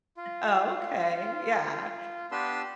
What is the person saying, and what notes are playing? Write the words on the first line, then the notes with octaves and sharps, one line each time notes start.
Oh, okay. Yeah,
F4
B3 D4 G4 B4 C6 E6